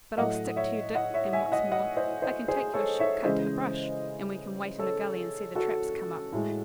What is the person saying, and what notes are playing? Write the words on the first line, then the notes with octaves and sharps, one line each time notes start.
But I'll stick to you, Dick, and, what's more, I can take you a short cut to the brush, and we can wait in a gully and see the traps come up.
A2 F#3 A3 D#5 F#5
C#5 E5
D#5 F#5
C#5 E5
E5 G#5
D#5 F#5
D#5 F#5
C5 D#5
C5 D#5
G#4 C5
A4 C#5
C#5 E5
C#3 E3 G#3 C5 D#5
A4 C#5
F#4 A4
A2 G#3